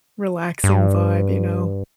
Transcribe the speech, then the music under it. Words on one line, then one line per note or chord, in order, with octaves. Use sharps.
relaxing vibe, you know,
G2